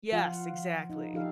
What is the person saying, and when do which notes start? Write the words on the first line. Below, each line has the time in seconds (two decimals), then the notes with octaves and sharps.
Yes, exactly.
0.12 F3 F4 F5 F#5
0.90 D#4
1.13 F3 D4 D#4 G4 A4 F5